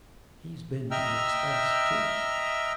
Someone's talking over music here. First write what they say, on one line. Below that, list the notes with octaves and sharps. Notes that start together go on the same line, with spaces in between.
He's been an expense too.'
D#5 E5 G5 A#5 E6 F6